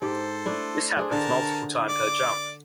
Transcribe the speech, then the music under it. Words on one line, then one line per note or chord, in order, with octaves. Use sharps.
This happens multiple times per jump.
G#2 G4 A4 C5
A3 D4 E4
D4 G#4 C5
D3 A#4 A5
D5 D6